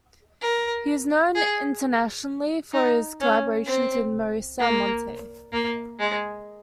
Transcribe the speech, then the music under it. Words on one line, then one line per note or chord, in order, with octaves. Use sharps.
He is known internationally for his collaborations with Marisa Monte.
A#4
G#4
D#4
C#4
C4
A#3
A#3
G#3